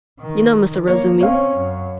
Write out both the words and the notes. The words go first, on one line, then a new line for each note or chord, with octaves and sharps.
You know Mr. Razumihin?
D#3
A#3 C#5
C4 C#4 C#5 F5
F#2